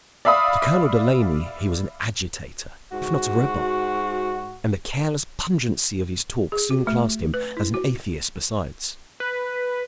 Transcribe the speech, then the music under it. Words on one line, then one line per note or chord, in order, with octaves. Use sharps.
To Colonel Delaney he was an "agitator," if not a rebel; and the careless pungency of his talk soon classed him as an atheist besides.
D5 E5 F5 B5 D#6
G#2 F#4
G#4
F#4
A3
B4
E4
F#4
B4